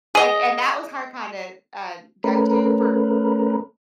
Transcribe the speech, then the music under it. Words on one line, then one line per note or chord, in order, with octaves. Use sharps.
And and that was her kind of, uh, go to for
G#4 D#5
A3 C#4 A#4 B4